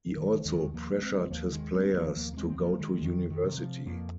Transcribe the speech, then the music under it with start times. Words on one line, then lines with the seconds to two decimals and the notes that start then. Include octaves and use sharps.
He also pressured his players to go to university.
0.17 D#3
0.45 D#2 D#3 G#3
0.74 F3 A#3
1.02 G#3 C4
1.31 D#2 F3 A#3
1.52 D#3 G#3
1.73 G#3 C4
1.94 F3 A#3
2.16 D#2 F3 A#3
2.33 A#3
2.37 G#3 C4
2.49 C4
2.59 F3 A#3
2.79 D#3 G#3
3.01 F2 D#3
3.30 D#3
3.44 C3
3.58 F3
3.86 F2 F3 A#3